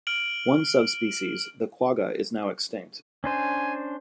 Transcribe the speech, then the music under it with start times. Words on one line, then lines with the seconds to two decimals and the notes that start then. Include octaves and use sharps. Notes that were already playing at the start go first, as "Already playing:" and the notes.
One subspecies, the quagga, is now extinct.
0.07 F6 D7 F#7
3.24 C#4 D4 C5 G#5